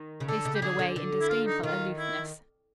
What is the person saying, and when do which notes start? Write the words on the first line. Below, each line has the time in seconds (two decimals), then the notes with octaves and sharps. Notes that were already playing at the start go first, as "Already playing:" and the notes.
They stood away in disdainful aloofness.
Already playing: D#3
0.20 C#3
0.28 D3 A4
0.45 C#3
0.55 G4
0.62 D3 G#4
0.79 D3
0.96 D3
1.21 E4
1.29 F4
1.46 D#4
1.63 D#3 F4
1.98 E4